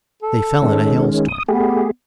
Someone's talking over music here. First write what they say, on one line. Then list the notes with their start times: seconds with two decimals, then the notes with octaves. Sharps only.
They fell in a hailstorm.
0.22 A4
0.62 D#3 G#3 C#4
1.29 D#6
1.48 A3 B3 G4 G#4